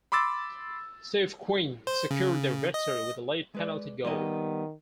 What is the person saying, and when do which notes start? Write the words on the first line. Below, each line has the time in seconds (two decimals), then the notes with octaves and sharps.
Steve Quinn secured their victory with a late penalty goal.
0.12 B5 C6 D6 E6 A6
1.87 C5
2.11 C#3
2.74 D#5
3.55 G#3 B4 D5
4.05 D#3 G3 B3 D#5